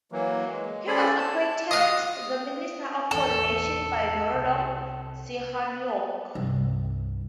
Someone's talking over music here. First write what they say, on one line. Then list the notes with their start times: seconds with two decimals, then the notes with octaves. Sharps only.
He was appointed the Minister of Coordination by Norodom Sihanouk.
0.12 E3 F#3 A#3
0.51 G#3
0.87 C#4 A4 C5 D5 B5
1.18 A5
1.71 D#5 F5 D#6 F#6
3.11 E1 A1 E2 A4
4.33 C2
6.35 C2 G2